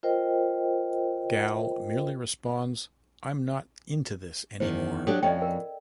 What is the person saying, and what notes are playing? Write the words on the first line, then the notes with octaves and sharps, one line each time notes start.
Gal merely responds, I'm not into this any more.
F4 A#4 C5 D#5 G5
E2 D#3 C5
F#3 D4 G4 A4
F2 C#4 D5 D#5 G5
A#4